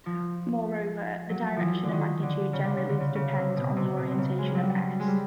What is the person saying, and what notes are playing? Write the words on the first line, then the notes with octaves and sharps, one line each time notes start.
Moreover, the direction and magnitude generally depend on the orientation of "S".
F3
F#3
E3 F3
D3
D#3
D3
C#3
D3
C#3
D3
C#3
C#3
C3
B2
C3
B2
C3
C#3
G#3
G3
F#3
G3
G#3
G3